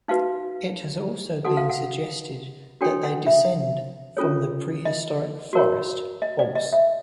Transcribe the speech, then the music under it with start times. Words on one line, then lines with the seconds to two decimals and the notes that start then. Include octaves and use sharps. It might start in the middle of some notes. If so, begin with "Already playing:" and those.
It has also been suggested that they descend from the prehistoric Forest horse.
0.08 D#4 F#4 B4 F5
1.45 D#4 F#4 A4 F#5
1.57 F5
1.70 F#5
2.81 D4 F#4 A4 C#5 G5
3.03 F#5
3.27 E5
4.17 C#4 F4 A4 C#5
4.85 D#5
5.53 F#4 A#4 C#5
6.22 D#5
6.39 D5
6.55 D#5
6.73 E5